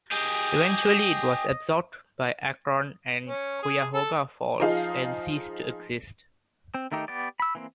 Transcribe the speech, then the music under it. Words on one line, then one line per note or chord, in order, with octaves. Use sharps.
Eventually it was absorbed by Akron and Cuyahoga Falls and ceased to exist.
G4 G#4 D#5
C#4
G#4
A4
F3 D#4 G#4 F5
C4
D#3 A3 D#4 G4
B3 G4 D5
B5 E6
E3 A#3 C4